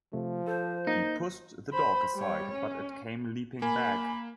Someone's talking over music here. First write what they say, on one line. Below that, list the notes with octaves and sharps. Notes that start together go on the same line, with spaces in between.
He pushed the dog aside, but it came leaping back.
C3 F3 A3
A4 C5
A#3 D#4
C5 B5
G3 C#5
C#4
A#3 G#5 B5